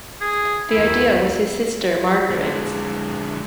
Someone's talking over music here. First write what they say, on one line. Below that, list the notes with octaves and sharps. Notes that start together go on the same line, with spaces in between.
The idea was his sister Margaret's.
G#4
D#2 A#3 E4
D3 G#3